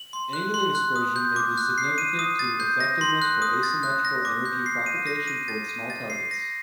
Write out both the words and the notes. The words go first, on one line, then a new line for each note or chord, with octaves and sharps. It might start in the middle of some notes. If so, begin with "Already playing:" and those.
Angular dispersion may be significant to effectiveness for asymmetrical energy propagation toward small targets.
Already playing: F#7
C6
F#6
C6
F#6
D#6
G6
D6
F#6
C7
D#7
D#6
A6
G6
A#6
C6
F#6
D#6
A6
F#6
A#6
D6
G6
C7
D#7
A#6
D#7
A6
D#7
A6
C7
A#6